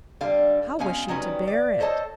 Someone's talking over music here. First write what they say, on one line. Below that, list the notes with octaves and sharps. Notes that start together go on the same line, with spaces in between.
How was she to bear it?
D3 G3 F5
B2 G#3 C#4 F5 G#5
D#3 F#3 G3 C#4 B4
D5
A4 C5 C#5 D#5 A5